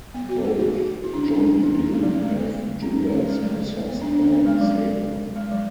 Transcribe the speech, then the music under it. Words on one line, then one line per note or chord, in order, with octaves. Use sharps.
Both John and Luke have Judas possessed by Satan.
B3
F#4
G#4
F#4
F#4
E4
D4
C#4
D4
E4
C#4
A3
F#3
G#3
A3
B3
C#4
C#4
A3
G#3
F#3
B3
D4
D4
C#4
B3
G#3
F#3
G#3
F#3